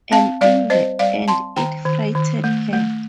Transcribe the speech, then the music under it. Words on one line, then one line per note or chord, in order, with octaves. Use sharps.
And in the end it frightened her.
C4 F5 A5
G3 D5 F5
C4 C5 D#5
G3 D5 F5
C4 A5 C6
D#3 G5 A#5
D#3
D#3
A3
A3